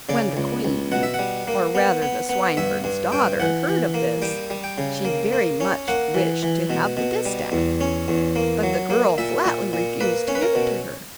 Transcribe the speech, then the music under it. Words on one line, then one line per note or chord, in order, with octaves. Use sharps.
When the queen--or, rather, the swineherd's daughter--heard of this, she very much wished to have the distaff, but the girl flatly refused to give it to her.
C#3 D5
C#2
C#2
B2 F#5
E5
F#5
G3
A#3
B3
B3
B3
G2 E5
G2
G2 G5
E3 F#5
E3
A#3
G3 G5
G3
G5
C#3
A#3
A#3
C#4
A#3 F#5
E3
E3
B2
B2
G3
E2
C#4
E2
A#3
F#3
A#3
A#2 E5
A#2
A#2
A#3 B4
C#4
B4
A#4
B2